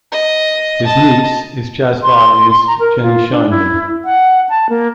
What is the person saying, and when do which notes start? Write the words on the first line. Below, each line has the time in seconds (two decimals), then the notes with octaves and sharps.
His niece is jazz violinist Jenny Scheinman.
0.12 D#5
0.85 D#5 A5
2.02 C6
2.67 A#5
2.80 A#4
3.02 F4
3.31 D4
3.50 E4
4.05 F#5
4.49 A5
4.70 A#3